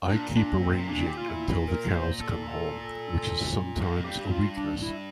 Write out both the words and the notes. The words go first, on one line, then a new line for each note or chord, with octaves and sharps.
I keep arranging until the cows come home, which is sometimes a weakness.
A#2 D4
D4
C4
C3
A#2 D4
G4
F4
E4
A#4
C5
A4
E2
F2
G2 G4
F4
D4
E4